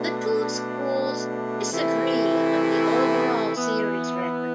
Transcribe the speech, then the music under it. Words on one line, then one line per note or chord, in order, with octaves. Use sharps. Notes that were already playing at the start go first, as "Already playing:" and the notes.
The two schools disagree on the overall series record.
Already playing: B2 A3 D4
C3 E3 A3 E4
E3 B3 E4